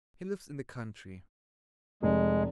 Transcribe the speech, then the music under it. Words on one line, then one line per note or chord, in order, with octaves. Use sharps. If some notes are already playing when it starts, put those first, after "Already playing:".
He lives in the country.
F1 G#3